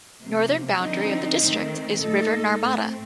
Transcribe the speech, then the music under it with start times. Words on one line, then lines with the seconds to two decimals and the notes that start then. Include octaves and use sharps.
Northern boundary of the district is river Narmada.
0.20 C3 F3 A#3
0.81 D3 F3 C4 D#4
1.42 D#3 A3 C4
2.01 A#2 A3 D#4 A4
2.62 A2 A3 C4